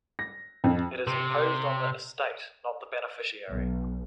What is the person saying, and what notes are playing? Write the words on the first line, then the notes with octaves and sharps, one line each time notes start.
It is imposed on the estate, not the beneficiary.
A#6
F2
C3
B1